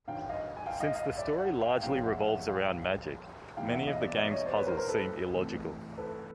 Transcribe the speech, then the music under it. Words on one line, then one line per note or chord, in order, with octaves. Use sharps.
Since the story largely revolves around magic, many of the game's puzzles seem illogical.
G2 D#3 F#3 F5 G5
D#5 F5
G#5
F5 G5
D#5 F5
D#5 F5
D5 E5
E5 F#5
F5 G5
A#2 F3 G#3 C#4 F5 G5
E5 F#5
F5
E5 F#5
F5 G5
E2 B2 G3 A#3 D#4 F5 G5
E5 F#5
D#5 F5
D5 E5
D5 E5
C#5 D#5
C5 D5
B4 C#5
A#4 C5
A#4 C5
A4 B4
C3 E3 A3
A4 B4